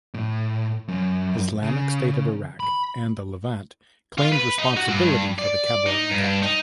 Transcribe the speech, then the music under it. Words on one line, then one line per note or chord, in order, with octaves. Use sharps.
Islamic State of Iraq and the Levant claimed responsibility for the Kabul attack.
A2
F#2
C#3
B5
F4
B4
D#4
F#4
G2
D5
D#4
G2
D#4